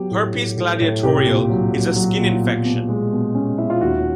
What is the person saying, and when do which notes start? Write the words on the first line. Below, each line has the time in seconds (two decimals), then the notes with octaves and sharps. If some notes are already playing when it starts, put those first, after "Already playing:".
Herpes Gladiatorial is a skin infection.
Already playing: F#3 B3 G4
0.11 A2
0.34 A2
0.57 A2
0.80 A2
1.03 C2 G4
1.26 A#2
1.50 F#3
1.73 F#3
1.96 F#3
2.19 A#2
2.42 B2
2.65 B2
2.88 G#3
3.12 B2
3.35 C#4
3.58 C#4 E4
3.70 F4
3.81 D#2 F#4